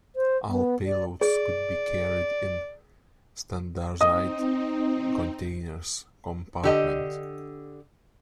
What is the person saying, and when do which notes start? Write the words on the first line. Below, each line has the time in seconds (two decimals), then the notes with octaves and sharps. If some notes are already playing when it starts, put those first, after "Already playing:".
All payloads could be carried in a standardised container compartment.
0.16 C5
0.48 B3
0.86 D5
1.21 G#4 D5
4.01 C4 D#4 D#5 D#6
6.63 D3 G4 D#5